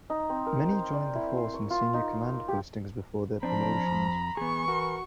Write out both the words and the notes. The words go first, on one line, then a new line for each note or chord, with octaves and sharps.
Many joined the Force in senior command postings before their promotions.
D#4
C4
A#4
C5
D5
E4
C6
C#6
F4
D#4
G4
F3 C4 D4 A#5 B5
F2
E3 B3 G#4 C#6
F#4 A#4